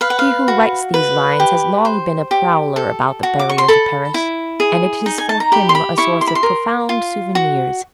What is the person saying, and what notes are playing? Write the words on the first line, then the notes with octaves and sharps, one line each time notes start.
He who writes these lines has long been a prowler about the barriers of Paris, and it is for him a source of profound souvenirs.
B4 F5
F#5
F5
F#4
B4
G4
C5
G4
A4
F#4
D6
C#6
C6
A4 B5
E4
G#4
D#4
G#5
A5
A#5
G4 B5
C6
B5
E4 C#6
C6
B5
C6
A#4
F4
F#4